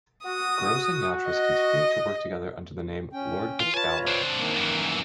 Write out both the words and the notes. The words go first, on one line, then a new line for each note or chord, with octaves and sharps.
Grose and Yatras continued to work together under the name Lord with Dowling.
F#4 D#6
D#5
C#4 G5
E3 F4
F4 B4 C#5 G#5 A5
C4 D4
D#3 A#3
F#2 E3